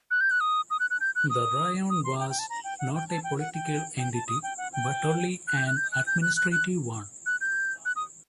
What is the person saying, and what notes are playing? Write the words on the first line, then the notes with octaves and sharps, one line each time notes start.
The "rione" was not a political entity, but only an administrative one.
F#6
G6
F#6
D#6
D#6
F#6
F#6
G6
F#6
D#6
D#6
C6
G5
G5
A5
A#5
G5
F#5
G5
A5
G5
F#5
G5
G5
A5
D#6
G5
F#5
G5
F#6
G6
F#6
G6
F#6
G6
F#6
F#6
F#6
F#6
G6
F#6
D#6